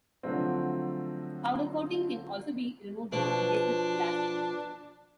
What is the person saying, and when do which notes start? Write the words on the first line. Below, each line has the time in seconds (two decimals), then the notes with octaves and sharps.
Powder coating can also be removed with abrasive blasting.
0.23 D3 F3 F#3 A3 C4
3.12 B2 F3 D4